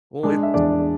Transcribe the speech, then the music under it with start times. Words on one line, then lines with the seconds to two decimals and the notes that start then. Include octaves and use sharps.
Well, it's
0.23 G#3 D4 D5
0.43 E5
0.54 E2 D4 D5